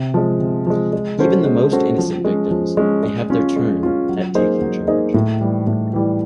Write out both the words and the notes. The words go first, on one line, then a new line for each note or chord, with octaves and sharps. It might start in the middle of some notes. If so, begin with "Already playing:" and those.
Even the most innocent victims may have their turn at taking charge.
Already playing: C3
F3 G#3
C3
F3 G#3
G#3
C#4 F#4 A4 C5
G#3
C#4 F#4 A4 C5
F3
G#3 C#4
F3
G#3 C#4
G#3
C#4 F4
G#3
C#4 F4
F#3
A#3 D#4 G#4 C5
F#3
A#3 D#4 G#4 C5
A2
E3 G3
A2
E3 G3